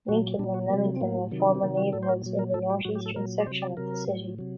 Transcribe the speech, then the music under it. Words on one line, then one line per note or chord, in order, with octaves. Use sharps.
Lincoln and Lemington were former neighborhoods in the northeastern section of the city.
A#2 F#3 F#4
A#2 F#3 D4
F#4
C3 F#3 A#3
A3
C4
A2 F#3 A#3
C3 D#3 F#3
D#4
D4
C4
C3 D#3 F#3 A#3
F#4
A2 F#3 A4
C5
A#4
A#2 F#3
A#4
A2 F#3 A4
G4
A2 F#3 F#4
G4
A4
A#2 F#3 A#4
D5
C3 F#3 C5
D5
C3 F#3 A#4
A2 F#3
C3 F#3